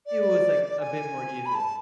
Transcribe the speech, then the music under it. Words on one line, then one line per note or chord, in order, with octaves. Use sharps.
it was, like, a bit more easier.
D5
G#5
B5
A5